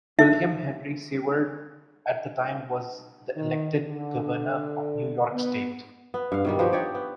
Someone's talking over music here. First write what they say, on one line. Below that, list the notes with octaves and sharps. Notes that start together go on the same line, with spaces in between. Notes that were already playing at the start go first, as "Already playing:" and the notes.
William Henry Seward at the time was the elected governor of New York State.
D#4 E5
D#3
D3
B3
B3
G2 F5
B2 D#3 G3
F3 B3 F#4 G4
D#4 G4 C#5 D5
B3